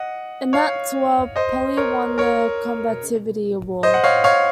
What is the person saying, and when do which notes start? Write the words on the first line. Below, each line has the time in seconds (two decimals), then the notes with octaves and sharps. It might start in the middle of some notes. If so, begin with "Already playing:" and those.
In that Tour, Poli won the Combativity award.
Already playing: D#5 F#5
0.53 C#5 F5
1.36 C5 D#5
1.77 A#4 C#5
2.18 A#4 C#5
3.83 C5 D#5
3.94 F#5
4.04 C#5 F5
4.24 C#5 F5